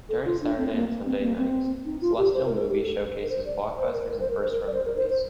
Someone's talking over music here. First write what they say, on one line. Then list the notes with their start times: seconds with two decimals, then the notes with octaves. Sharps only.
During Saturday and Sunday nights, Celestial Movies showcases blockbusters and first-run movies.
0.09 A4
0.25 F4
0.41 D4
0.57 C4
0.73 A#3
0.89 A#3
1.05 C4
1.22 A#3
1.37 C4
1.85 D#4
2.01 F4
2.18 G4
2.34 C5
2.45 A#4
2.57 A#4
2.69 G4
2.82 A4
3.23 A#4
3.29 C5
3.45 D5
3.77 C5
3.94 A#4
4.09 A#4
4.20 C5
4.31 A#4
4.41 C5
4.52 A#4
4.67 D5
4.73 C5
4.85 A#4
4.98 C5
5.10 C5